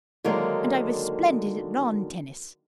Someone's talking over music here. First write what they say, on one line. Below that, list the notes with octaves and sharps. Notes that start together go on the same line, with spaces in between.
"And I was splendid at lawn tennis."
D3 D#3 F#3 G#3 A#3